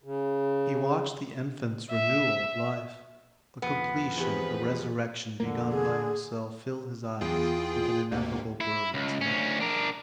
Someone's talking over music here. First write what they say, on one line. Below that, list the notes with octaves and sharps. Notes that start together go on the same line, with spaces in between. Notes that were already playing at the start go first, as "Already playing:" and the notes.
He watched the infant's renewal of life; the completion of the resurrection begun by himself filled his eyes with an ineffable brilliancy.
C#3
E5
F2 B3
E2 C3 D#4 B4
F2 D3 A#3
G#4
E2 F4 G#4 G5
D2 G#2 C3 A#3
E4
C#2
D2 C#4
D4 A#4